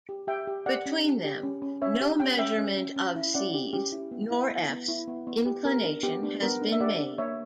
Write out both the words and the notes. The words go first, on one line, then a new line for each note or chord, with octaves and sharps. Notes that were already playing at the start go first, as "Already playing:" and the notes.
Between them, no measurement of c's nor f's inclination has been made.
G4
G4 E5 G5
G4
G4 D5 F#5
C#4
G4
G4
C#4
C#4
C#4 C#5 E5
G4
C#4 G5
C#4 E5 G5
C#4
C#4
C#4
E4
C#4 D5 F#5
G4
C#4 G4
E4
B3
E4
B3
B3
E4
B3
B3
G4
B3 A#4
D4
B3 G4
D4
B3 A#4
D4
E5
G4 D5 F#5
D4
A#3 C#5 E5